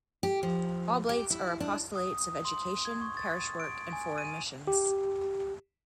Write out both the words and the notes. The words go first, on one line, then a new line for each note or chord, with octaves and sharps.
Oblates are apostolates of education, parish work and foreign missions.
G4
F3
G4
E4
D4
D#6
C6
G#6
C#6
A6
D7
G#5
D#7
G4